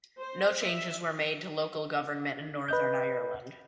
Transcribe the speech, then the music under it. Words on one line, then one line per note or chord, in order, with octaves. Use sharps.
No changes were made to local government in Northern Ireland.
C5
E5
B4 D#5 G6